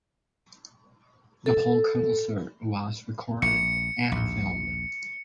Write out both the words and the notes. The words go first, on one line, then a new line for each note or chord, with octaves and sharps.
The whole concert was recorded and filmed.
A4
A#1 C#7
A#1 D#2